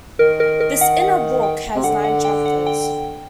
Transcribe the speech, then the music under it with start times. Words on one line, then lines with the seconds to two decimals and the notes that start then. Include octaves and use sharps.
This "inner" book has nine chapters.
0.19 D#3 A#4
0.40 A#4
0.60 A#4
0.81 F#5
1.02 F#5
1.43 G5
1.75 C3
1.84 D3 F#5
2.04 F#5
2.24 G5
2.45 F#5
2.66 G5